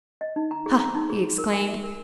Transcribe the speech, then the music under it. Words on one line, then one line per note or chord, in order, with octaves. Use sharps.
"Huh!" he exclaimed.
D#5
D#4
A#5
G#4
A#5
D#4
G#4
G#4
A#4
G#5
E5
A#4